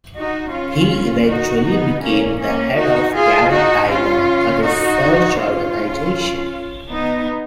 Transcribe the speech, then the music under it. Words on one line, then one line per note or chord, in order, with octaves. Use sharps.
He eventually became the head of Gallup Taiwan, a research organisation.
D#4 F#4
C#4 F4
D#4 F#4
B3 D#4
A#3 C#4
A#3 C#4
D#4 F#4
F4 G#4
D#4 F#4
C#4 F4
D#4 F#4
C#4 F4
B3 D#4